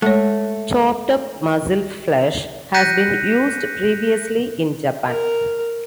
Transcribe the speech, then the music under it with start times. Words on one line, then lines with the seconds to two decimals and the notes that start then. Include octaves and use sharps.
Chopped up mussel flesh has been used previously in Japan.
0.02 G#3 A3 C#5
2.74 F#6 G6 A#6 B6 C#7 D#7
5.07 A#4